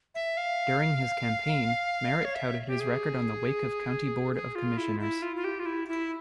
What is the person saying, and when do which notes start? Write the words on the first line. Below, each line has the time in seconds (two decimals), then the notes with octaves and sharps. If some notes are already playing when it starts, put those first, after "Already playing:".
During his campaign, Merritt touted his record on the Wake County Board of Commissioners.
0.15 E5
0.37 F5
2.25 C#5
2.35 E5
2.67 G4
2.80 G#4
4.34 G#4
4.55 F4
4.77 E4
5.00 E4
5.22 F4
5.36 F4
5.44 G4
5.60 F4
5.66 E4
5.88 E4